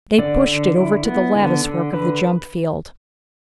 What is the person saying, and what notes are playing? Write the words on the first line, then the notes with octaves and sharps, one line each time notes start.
They pushed it over to the latticework of the jump-field.
D3 D5
D3
E4
B3
D3
D3
D3 B4